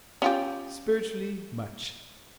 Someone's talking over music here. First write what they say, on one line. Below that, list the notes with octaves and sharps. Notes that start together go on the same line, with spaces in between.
Spiritually much.
C#4 F4 G4